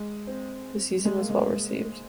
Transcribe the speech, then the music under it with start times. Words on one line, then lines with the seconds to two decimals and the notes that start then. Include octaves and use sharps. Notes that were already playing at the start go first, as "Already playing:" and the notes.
The season was well received.
Already playing: G#3
0.27 C4
1.05 G#3
1.18 A#3
1.30 G#3